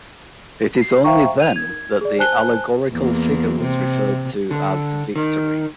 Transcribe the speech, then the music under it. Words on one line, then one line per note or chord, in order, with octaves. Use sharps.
It is only then that the allegorical figure was referred to as Victory.
C7
C5 E5 F5 G5 A#5 C#6
D#7 F7
G#6
G#4 D5
C5 G#5 A5 F#6 G7
E2 A#3
C3
D3
D#3